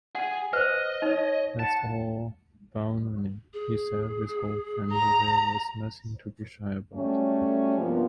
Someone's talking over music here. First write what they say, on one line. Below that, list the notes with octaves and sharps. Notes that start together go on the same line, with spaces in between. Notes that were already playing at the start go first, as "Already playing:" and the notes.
That’s all baloney,” he said with hope, “and there was nothing to be shy about.!
G#4 F#5
B4 C5 D#5
D#4 C#5
F#5 A5
G#4
A#5
F#3 G3 A3 C#4
G2 C3 F3 A#3 B3